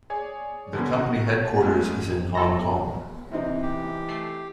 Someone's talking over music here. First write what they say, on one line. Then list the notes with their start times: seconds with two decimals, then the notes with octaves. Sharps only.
The company headquarters is in Hong Kong.
0.10 G#4 C#5 D5 G#5
0.73 D3 D#3 F3 A#3 B3 C#4
0.96 D#3 F#4
1.45 A5
1.61 G#3 A3 B3 C#4
2.35 E4 A4 C#6 A#6
3.32 C3 E3 C4 D#4
3.62 G4
4.08 A3 C7